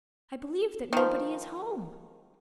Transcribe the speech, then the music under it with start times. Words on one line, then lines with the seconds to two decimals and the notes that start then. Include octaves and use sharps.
"I believe that nobody is home."
0.93 D#3 F3